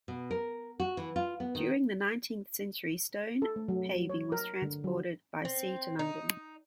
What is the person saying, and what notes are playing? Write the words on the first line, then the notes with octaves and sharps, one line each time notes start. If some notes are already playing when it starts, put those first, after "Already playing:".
During the nineteenth century stone paving was transported by sea to London.
B2
A#4
F#4
E3
F4
B3
D#3
A4
A3
F#3
C#5
A#4
D3
F#3
C4
D#4